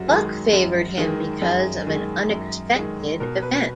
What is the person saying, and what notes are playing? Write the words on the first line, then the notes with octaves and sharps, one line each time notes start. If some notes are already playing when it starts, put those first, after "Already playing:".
Luck favored him because of an unexpected event.
Already playing: F#2 F#4
D#3 G#3
F#2
D#3 G#3
F#2 G#4
D#3 G#3
F#2
D#3 G#3
B2 A#4
B4